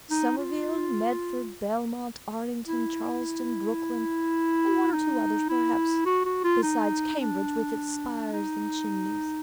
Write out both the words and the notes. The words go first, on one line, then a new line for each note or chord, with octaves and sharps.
Somerville, Medford, Belmont, Arlington, Charlestown, Brookline, and one or two others, perhaps, besides Cambridge with its spires and chimneys.
D#4
F4
E4
D#4
E4
F#4
F#4
F4
D#4
D4
D#4